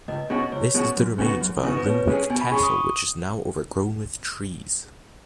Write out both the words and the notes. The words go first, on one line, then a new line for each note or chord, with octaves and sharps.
This is the remains of a ringwork castle which is now overgrown with trees.
C#2 D#5
B2 G#3 C#4 F#4
C#2 C#5
B2 G#3 C#4 F#4
F#2
C#3 B3 D#4 F#4
F#2
C#3 B3 D#4 F#4
B4
B2 C#5
G#3 C#4 G#4
B2 G#5
B5
G#3 C#4 G#4 C#6
D#6